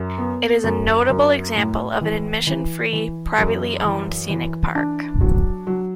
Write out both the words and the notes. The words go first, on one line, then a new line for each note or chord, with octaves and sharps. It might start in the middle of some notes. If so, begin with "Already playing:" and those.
It is a notable example of an admission-free, privately owned scenic park.
Already playing: F#2
B3
F#2
F#2
A2
E3
E3
E3
F#2
E3
E3
D4
F#3
F#3